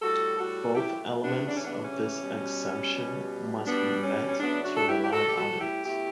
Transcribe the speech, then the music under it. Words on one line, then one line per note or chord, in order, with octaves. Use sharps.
Both elements of this exemption must be met to rely on it.
A2 G3 F#4 A4
F#4 A4
A2 F#3 A3 E4 G4
B3 D4
C#3 E3 G3 D4
C#4
B3 D4
C#4
B2 G3
B2 G3
B2 G3 B3 D4
C#4
C#4
C#3 F#3 A3 B3 D4
D4 F#4
A4
E4 G4
G4
A2 G3 F#4 A4
G4
F#4 A4
E4 G4
B2 A3 E4 G4